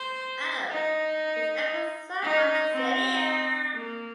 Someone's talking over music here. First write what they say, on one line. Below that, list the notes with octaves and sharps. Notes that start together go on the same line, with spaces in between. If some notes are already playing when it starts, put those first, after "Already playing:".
Oh, it's ever so much sillier.
Already playing: C5
D#4
D#4
C4
A#3